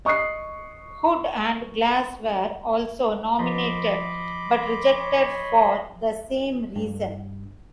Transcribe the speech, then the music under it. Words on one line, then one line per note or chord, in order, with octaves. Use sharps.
Hood and Glass were also nominated, but rejected for the same reason.
D#5 C#6 D#6 F#6 C7
F3 D#5 B5 C6 D6
C#5
G2